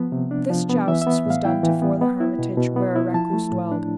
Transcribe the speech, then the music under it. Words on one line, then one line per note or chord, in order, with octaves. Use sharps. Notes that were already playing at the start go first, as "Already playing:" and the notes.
This jousts was done to-fore the hermitage where a recluse dwelled.
Already playing: F3 B3
C3
D4
F3
B3
E3 E5
E5
B3
A2 F5
E4 G5
E3
B3
B3
E4
B2
B2
B3
E4
F3 A5
A3
A2
D4